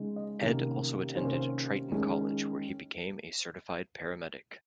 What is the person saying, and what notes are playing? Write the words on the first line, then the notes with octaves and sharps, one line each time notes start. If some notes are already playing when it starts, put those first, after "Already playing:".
Ed also attended Triton College where he became a certified paramedic.
Already playing: C#3 G#3 D#4
D#5
C3 D#3 A#3 C#4
C3 D#3 A#3 C#4 C5
A#4
C5
D#3 G#3 C#4